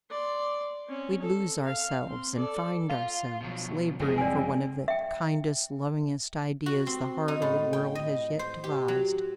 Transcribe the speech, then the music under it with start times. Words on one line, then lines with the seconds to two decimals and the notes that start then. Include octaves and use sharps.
We'd lose ourselves--and find ourselves--laboring for one of the kindest, lovingest ideas the hard old world has yet devised.
0.11 D5 C6
0.87 C4 C#4
1.22 A4
1.65 F5
2.05 C4 C6
2.35 A4 D5
2.90 F4 F5
3.41 B2 F3 F#3
4.00 F#1 A2 F3 G#3 G#4
4.18 C4 D5 G#5
4.88 E5 G5
6.66 F#4
6.87 C4
7.28 D#4
7.42 A2
7.73 G5
7.95 D#5
8.39 C5
8.64 G4
8.88 F#3